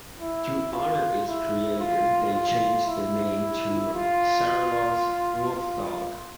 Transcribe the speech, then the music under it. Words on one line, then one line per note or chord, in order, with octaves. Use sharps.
To honor its creator they changed the name to "Saarloos Wolfdog".
E4
F4
E4
F4
F4
E4
F4
F4